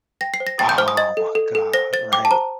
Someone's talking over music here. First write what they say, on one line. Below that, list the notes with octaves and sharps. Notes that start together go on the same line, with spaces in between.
Oh, my god, right.
G5 A#6
C7
C5
A#6
G5 A6
G6
C5 F6
D#6
D#5 A6
A4
A4
A4
C5 A#6
C5 A6
G5 D6
A5
C5 A#5